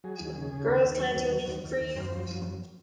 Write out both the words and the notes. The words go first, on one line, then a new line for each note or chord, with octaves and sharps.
Girls, can I do anything for you?
F#3 G#4
D#2
C#3
C#3
D#2
D#2
F#3
D#2
F#3
D#2
D#2
D#2
F#2 C5
F3
F#2
F#2